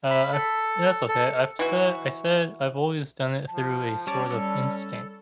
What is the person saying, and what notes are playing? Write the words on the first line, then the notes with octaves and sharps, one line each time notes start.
Uh, I that's okay I've said I said I've always done it through a sort of instinct.
B5
A4
A4
E3 F#4
F3 A5
G3 C#4 C#5 D5
G3 A4